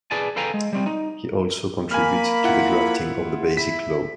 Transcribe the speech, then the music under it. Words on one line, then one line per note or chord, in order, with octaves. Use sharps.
He also contributed to the drafting of the Basic Law.
G#4 B4 D5 G#5 A5
A4 B4 F5 G5 G#5 A#5
G#3
G3 C4
D#4
A#3 G#5 B5 F6
E4 F4 F#5
E4 B6